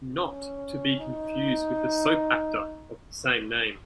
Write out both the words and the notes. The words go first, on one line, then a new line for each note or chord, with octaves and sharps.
Not to be confused with the soap actor of the same name.
C#4
D#4